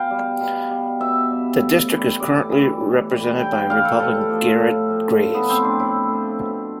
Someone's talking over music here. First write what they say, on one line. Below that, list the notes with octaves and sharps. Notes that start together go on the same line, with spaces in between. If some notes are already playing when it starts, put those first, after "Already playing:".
The district is currently represented by Republican Garret Graves.
Already playing: B2 F5 G5
G3
B2
G3
B2 E5
G3
A2
E3 G3
A2 D5
E3 G3
A2
E3 G3
A2 G5
G5
E3 G3 F5
A4
A2 A4
F3 A3
A2
F3 A3
A2
B3
F3 A3 C4
D4
A2 E4
F3 A3
B2